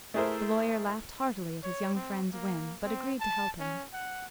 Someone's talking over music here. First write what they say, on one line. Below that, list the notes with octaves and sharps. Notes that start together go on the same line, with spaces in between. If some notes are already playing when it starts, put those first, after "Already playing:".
The lawyer laughed heartily at his young friend's whim, but agreed to help him.
A3 E4 G#4 A#4 C5 E5
C#5
C4
A#3
C4
A5
C#4
F#5